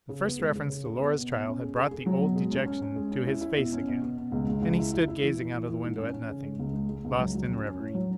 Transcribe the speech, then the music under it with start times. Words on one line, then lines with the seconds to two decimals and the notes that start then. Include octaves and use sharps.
The first reference to Laura's trial had brought the old dejection to his face again, and he stood gazing out of the window at nothing, lost in reverie.
0.09 C#3
0.24 B3
0.39 G#3
0.55 C#3
0.70 C#3
0.85 C#3
0.99 B3
1.15 B2
1.31 B2
1.45 C#4
1.61 G#4
1.76 G#4
1.91 G#4
2.06 F#3
2.21 B2
2.36 G#3
2.51 C#4
2.66 C#4
2.82 C#4
2.96 G#3
3.12 C#4
3.27 E4
3.41 E4
3.56 B2
3.73 C#4
3.88 B2
4.02 B2
4.18 B2
4.32 C#2
4.48 C#2
4.62 C#2
4.78 E4
4.93 E4
5.08 E4
5.23 E3
5.38 E3
5.53 E3
5.68 E3
5.83 G#2
5.98 C#4
6.14 C#4
6.29 C#3
6.44 G#3
6.59 C#2
6.73 G#3
6.89 G#3
7.04 C#2
7.20 F#3
7.34 F#3
7.50 C#4
7.65 C#4
7.79 A2
7.94 F#3